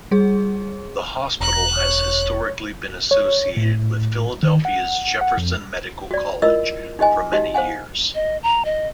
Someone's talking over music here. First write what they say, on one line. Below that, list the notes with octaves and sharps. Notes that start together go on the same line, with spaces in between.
The hospital has historically been associated with Philadelphia's Jefferson Medical College for many years.
G3 G#4
E1 A#5 F#6
C#5
C#5
A2
D#3
F#5
F#5
F2
F#4 D5
E4 F4 A#4 D#5 E6
D#4 G4 D#5 G#5
D#4 F#4 G4 D#5
C5 F5 F#5 G#5
D#5
A#5
D#5